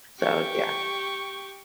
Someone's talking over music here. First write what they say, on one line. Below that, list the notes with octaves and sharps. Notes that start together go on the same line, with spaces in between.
so, yeah.
G4 C#6